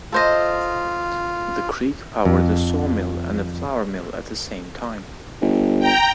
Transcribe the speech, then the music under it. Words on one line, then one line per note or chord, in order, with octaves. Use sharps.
The creek powered a saw mill and a flour mill at the time.
F4 A4 C5 D#5
F2
G1
G5 A#5